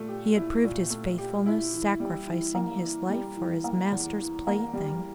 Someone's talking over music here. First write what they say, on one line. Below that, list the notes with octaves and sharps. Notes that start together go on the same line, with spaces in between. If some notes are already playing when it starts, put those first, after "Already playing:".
He had proved his faithfulness, sacrificing his life for his master's play-thing.
Already playing: A#2 A3
G4
E4
A#2
A3
G4
E4
E3
G3
E3
A#3
E3
G3
E3
A#3
E2
E3
A#3
G3